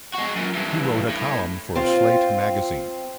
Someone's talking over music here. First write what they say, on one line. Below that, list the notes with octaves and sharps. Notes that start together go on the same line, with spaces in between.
He wrote a column for "Slate Magazine".
G#3 F#4
F#2 A#2
G2 E3
A2
C4 F4